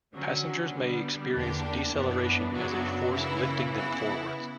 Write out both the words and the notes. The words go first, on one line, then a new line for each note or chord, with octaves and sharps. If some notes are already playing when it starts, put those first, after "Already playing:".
Passengers may experience deceleration as a force lifting them forwards.
D3 F#3 C#4
D3 G3 B3
E2 D3 A#3 D4 G4
F#2 E3 B3 D4
F#2 C#3 F#3 B3 D4
C#3 E3 A#3 E4
C#3 E3 B3 E4